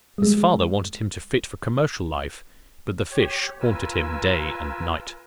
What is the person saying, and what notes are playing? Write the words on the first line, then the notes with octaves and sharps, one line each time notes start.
His father wanted him to fit for commercial life, but the fish haunted him day and night.
G3 G#3
G4 C#5
F4 A#4 B4 G#5 E6